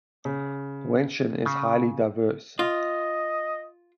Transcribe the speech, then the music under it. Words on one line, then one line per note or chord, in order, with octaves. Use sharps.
Wenshan is highly diverse.
C#3
C#3
F4 D#5